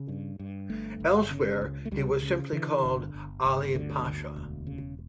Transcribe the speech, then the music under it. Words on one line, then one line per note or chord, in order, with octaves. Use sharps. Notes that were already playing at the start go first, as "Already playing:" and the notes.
Elsewhere he was simply called "Ali Pasha".
Already playing: C#3
G2
G2
G1 A3
G1
C#3
C#2
A3
C#2 G3
C#3
D3 E3
G1
G1
G1
D2 D3
D2
E1
C#3